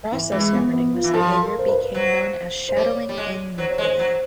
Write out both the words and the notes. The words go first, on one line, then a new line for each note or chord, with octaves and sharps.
The process governing this behavior became known as shadowing in nuclei.
E3
E3 G#3
B3
B3
F4
E3
F3 A4
A#4
C5
B4
F#3 C5
C5
G3 C#5
G3
G#3
F#3 C5
C#5
G#3
C5
F#3 C5